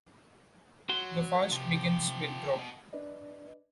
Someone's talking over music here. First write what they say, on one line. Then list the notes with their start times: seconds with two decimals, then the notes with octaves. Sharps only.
The fast begins with dawn.
0.89 F#3 F#4 C6
1.52 C3 F3 G4
2.58 B2
2.93 D4 B4 D5 D#5